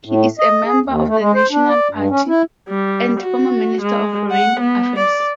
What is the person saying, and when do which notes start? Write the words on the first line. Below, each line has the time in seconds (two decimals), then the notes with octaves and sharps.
He is a member of the National Party, and former Minister of Foreign Affairs.
0.05 A2
0.39 D#5
0.65 G#4
0.86 D#2
1.07 A3
1.19 G#3
1.35 C5
1.51 D4
1.69 D5
1.91 G2
2.10 C#4
2.28 E4
2.69 G3
3.20 F#4
3.81 G#3
4.31 F#5
4.60 B3
4.98 D5